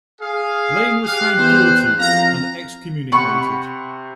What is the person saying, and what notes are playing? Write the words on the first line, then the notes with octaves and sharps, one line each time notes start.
Lane was found guilty and excommunicated.
G#4 F5
G4 F5 F#6
E2 C5
F2 F5 A#5
C3 F#5 B5 C#6